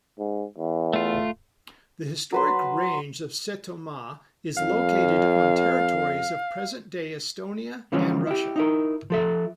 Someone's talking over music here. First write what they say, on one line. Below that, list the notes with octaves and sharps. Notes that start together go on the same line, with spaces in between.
The historic range of Setomaa is located on territories of present-day Estonia and Russia.
G#2
E2
A3 F4
F#3 B4 C6
F2 F5
D3 E3 F3 G#3 C#4 F4
E4 G4
D#4 E4 A#4
F3 A4 E5